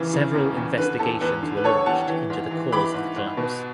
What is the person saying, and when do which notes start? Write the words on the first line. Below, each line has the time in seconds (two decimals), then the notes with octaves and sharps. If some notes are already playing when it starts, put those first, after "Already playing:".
Several investigations were launched into the cause of the collapse.
Already playing: E2 C#3 E3
0.14 C#3
0.35 E2
0.56 E2
0.78 D3 B4
0.99 E2 A4
1.21 E2 B4
1.42 D3
1.57 B4
1.64 D3 A4 C#5
1.86 E2 F#5 A5
2.08 E3
2.30 G#2
2.51 E3
2.72 E3 B5 D6
2.94 G#2
3.16 G#2
3.37 B2